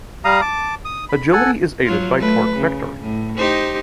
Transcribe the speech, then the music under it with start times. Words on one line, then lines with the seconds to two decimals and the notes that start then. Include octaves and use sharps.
Agility is aided by torque vectoring.
0.24 G3 F5 A#5 D#6
0.41 A5 D6
0.85 D#6
1.09 B5
1.33 A4 F#5 G#5
1.85 F#3 F4
2.17 A3 B4
2.56 C#3
3.00 A2
3.38 D#4 G4 C5